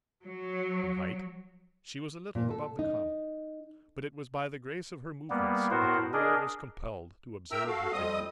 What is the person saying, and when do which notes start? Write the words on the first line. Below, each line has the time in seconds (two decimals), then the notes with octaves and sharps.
In height she was a little above the common, but it was by the grace of her movements that the world was compelled to observe her figure.
0.24 F#3
2.35 A#2
2.51 A4
2.79 D#4
5.30 G3 A#3 B3
5.70 A2 B3 F#4 A#4 C5
6.13 D4 G#4 A#4 D#5
7.51 A#4 E5 G5 A#5 E6
7.67 F#4 A4 F5
7.92 F2 G3 C4 D#5 D#6